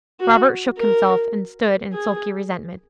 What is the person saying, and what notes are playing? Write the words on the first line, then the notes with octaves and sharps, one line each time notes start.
Robert shook himself and stood in sulky resentment.
F#4
A#4
G#4